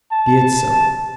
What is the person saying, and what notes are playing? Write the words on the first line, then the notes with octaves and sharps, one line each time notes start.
Be it so.
A5